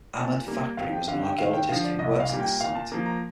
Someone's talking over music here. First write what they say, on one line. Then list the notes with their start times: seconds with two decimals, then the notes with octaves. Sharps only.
Ahmad Fakhri was an archaeologist who worked at this site.
0.17 A#2 A5
0.47 G3 A#3
0.77 F2 F5
0.92 G5
1.08 D3 G3 F5
1.22 G5
1.38 D#2 F5
1.54 G5
1.69 D3 F3 F5
1.84 D5
1.99 C2 D#5
2.20 F5
2.29 A#2 G3 A#3
2.40 G5
2.60 A#2 F5
2.75 A5
2.92 F3 A#3
3.06 A#5